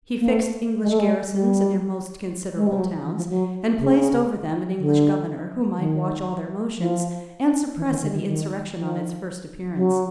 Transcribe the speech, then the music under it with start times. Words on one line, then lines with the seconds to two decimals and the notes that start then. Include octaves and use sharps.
He fixed English garrisons in their most considerable towns, and placed over them an English governor, who might watch all their motions, and suppress any insurrection on its first appearance.
0.19 A#3
0.30 A3
0.80 G#3
0.90 A3
0.99 G#3
1.29 G3
2.56 G#3
2.66 G3
2.78 F#3
3.04 E3
3.16 F3
3.29 F#3
3.78 C#3
4.78 D3
5.77 D#3
6.77 F3
7.76 E3
7.89 D#3
8.01 D3
8.14 D#3
8.26 D#3
8.76 F3
9.75 F#3